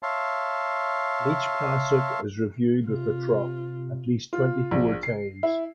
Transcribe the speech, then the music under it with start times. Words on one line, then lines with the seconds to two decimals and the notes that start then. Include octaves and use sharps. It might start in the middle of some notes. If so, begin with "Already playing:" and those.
Each pasuk is reviewed with the tropp at least twenty-four times.
0.03 C#5 E5 F5 A5 C6
2.88 C3 F4
4.33 F4
4.71 A#1
5.03 C7
5.43 E4